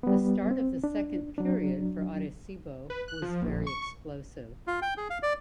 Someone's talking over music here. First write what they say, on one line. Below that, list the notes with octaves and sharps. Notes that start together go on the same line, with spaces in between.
The start of the second period for Arecibo was very explosive.
G3 B3
C4
D4
F#3 D4
B4
F#6
F3
A#1
C#6
F4
G5
G#4
F5
D5